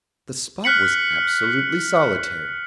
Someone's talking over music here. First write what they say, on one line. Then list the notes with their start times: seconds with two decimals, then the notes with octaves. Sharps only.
The spot was absolutely solitary.
0.64 F6 F#6 B6 C#7 F#7